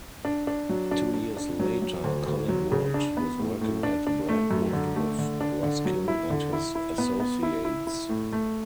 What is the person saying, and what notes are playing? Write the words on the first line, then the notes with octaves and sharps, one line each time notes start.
Two years later Collingwood was working at Brantwood with Ruskin and his associates.
D4
D4
F#3
D4
D4
D4
F#3
F#3
D2
D2
F#3
C#3
D4
B3
A2
A2
D4
D4
A3
F#2
D3
A3
D3
D4
D3
F#3
E4
D3
E4
E4
B3
B3
E4
E4
E4
A2
A3